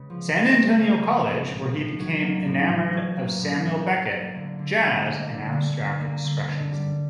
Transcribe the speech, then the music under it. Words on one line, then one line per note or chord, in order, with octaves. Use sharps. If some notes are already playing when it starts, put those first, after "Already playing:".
San Antonio College, where he became enamored of Samuel Beckett, jazz, and abstract expressionism.
Already playing: C#3 G#3 B3
F3
G#3
B3
C#3
F3
G#3
A2
A2
F#3
A#3
A2
A2
F#3
A#3
A2
A2
F#3
A#3
D3
D3
G3
A#3
D3
D3
G3
A#3
D3
D3
G3